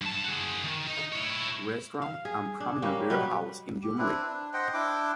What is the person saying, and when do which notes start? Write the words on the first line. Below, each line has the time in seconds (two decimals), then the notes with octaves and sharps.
Restaurant and prominent beerhouse in Gyumri.
0.01 G2 A5
0.24 F#4 G#4
0.64 D#3
0.87 D#4
1.12 E4 C#5
2.02 F5
2.25 G#4
2.60 D4
2.82 G3 A#3 C#4
3.10 B2 G3 B4
3.83 G4
3.98 C4 D4 E4 B4
4.25 D4
4.53 C5 D#5 F#5 G5
4.74 D4 E4 G5 D6